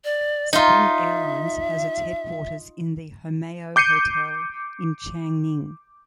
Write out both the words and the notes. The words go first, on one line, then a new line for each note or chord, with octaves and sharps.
Spring Airlines has its headquarters in the Homeyo Hotel in Changning.
D5
D#4 F4 E5
D6 G6 C7 C#7 D#7